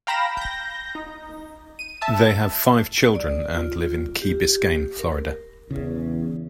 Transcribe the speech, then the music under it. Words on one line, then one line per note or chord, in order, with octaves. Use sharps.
They have five children and live in Key Biscayne, Florida.
F5 G5 A#5 B5 A#6 E7
G6 A#6
D#4
D#7
E5 A5 E6
D5
F4
G4
A#4
E2 C#3